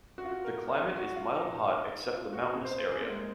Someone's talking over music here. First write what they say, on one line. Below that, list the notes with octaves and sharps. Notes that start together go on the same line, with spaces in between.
The climate is mild-hot except the mountainous area.
F#4
F4
F#4
A#4
A#4
G#4
F#4
F4
D#4
D#4
F4
F#4
G#4
C5
C5
G#4
A#3
G#3